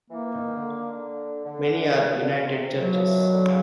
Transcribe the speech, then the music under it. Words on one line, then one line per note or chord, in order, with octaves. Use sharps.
Many are united churches.
E3 A#3
D#3
D3
D3
C#3
D3
C#3
C3
B2 F#3
F3
E3
D#3
D3
C#3